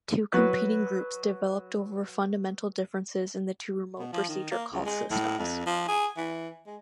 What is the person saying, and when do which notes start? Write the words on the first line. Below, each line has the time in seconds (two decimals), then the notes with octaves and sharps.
Two competing groups developed over fundamental differences in the two remote procedure call systems.
0.33 F#3 F#4 B4
3.99 B2
4.12 F3
4.29 D#3
4.51 A#3
4.72 C#2
4.86 G#3
5.11 A2
5.39 F2
5.66 F3
5.88 G#4
6.17 E3
6.66 G#3